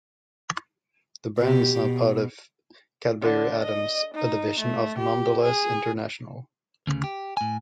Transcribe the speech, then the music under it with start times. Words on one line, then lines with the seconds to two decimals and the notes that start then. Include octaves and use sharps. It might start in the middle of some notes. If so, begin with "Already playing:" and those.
The brand is now part of Cadbury Adams, a division of Mondelez International.
1.38 B2 G4
1.81 B2
3.22 D3
3.63 D#5
4.14 D#4
4.59 A3
4.98 G4
5.43 G#4
6.87 D2 C#3
7.04 G4
7.37 A2 G#5